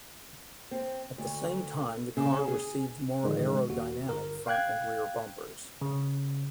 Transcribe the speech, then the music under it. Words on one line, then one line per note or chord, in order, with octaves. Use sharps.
At the same time the car received more aerodynamic front and rear bumpers.
C4
D2
C#3
G#4
A2 D3 D#3 F3 G#3
D#2 F#4
G1 A#4
F5 G5 F#6 G#6
C#3